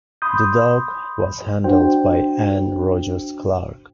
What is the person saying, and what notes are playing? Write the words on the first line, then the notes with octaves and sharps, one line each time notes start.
The dog was handled by Anne Rogers Clark.
B5 C6 D#6 G6
D4 F#4 C5 G5